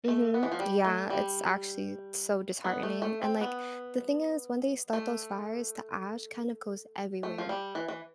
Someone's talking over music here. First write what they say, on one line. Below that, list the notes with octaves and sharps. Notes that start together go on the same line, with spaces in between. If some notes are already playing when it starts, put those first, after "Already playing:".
Mhm. Yeah. It's actually so disheartening, and, like, the thing is when they start those fires, the ash, kind of, goes everywhere,
A3
B3
E3
F3
G3
A3
G3
B3
A3
A3
C4
B3
A3
A3
F3
G3
E3
E3